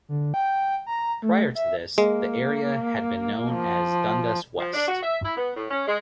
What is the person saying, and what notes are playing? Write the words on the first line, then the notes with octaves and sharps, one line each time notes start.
Prior to this, the area had been known as Dundas West.
D3
G5
A#5
A3
E5
G#3 A#3
F3
F3
D4
F#4
E5
E4
B3
A2
C#4
G#3